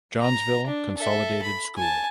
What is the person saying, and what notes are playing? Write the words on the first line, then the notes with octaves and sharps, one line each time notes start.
Johnsville Consolidated School.
A#5
D4
A4 E5
B5
G#5 A5